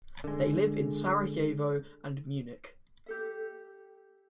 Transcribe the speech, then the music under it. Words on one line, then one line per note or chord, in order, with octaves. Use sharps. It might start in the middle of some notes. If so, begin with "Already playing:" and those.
They live in Sarajevo and Munich.
D3 G#3
G4 A4 E5